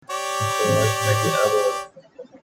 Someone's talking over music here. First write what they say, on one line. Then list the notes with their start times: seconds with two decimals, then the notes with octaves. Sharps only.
Gold Medal Award.
0.10 G4 C#5 D5